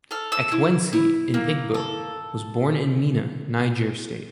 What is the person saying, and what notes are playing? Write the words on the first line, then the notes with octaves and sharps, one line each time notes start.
Ekwensi, an Igbo, was born in Minna, Niger State.
A4 F6
E6
E4
E4
A#3
A4